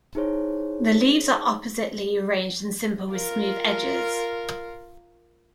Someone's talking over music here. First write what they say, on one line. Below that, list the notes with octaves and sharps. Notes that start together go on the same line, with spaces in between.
The leaves are oppositely arranged and simple with smooth edges.
D#4 E4 G#4 C5 C#5
F4 A#4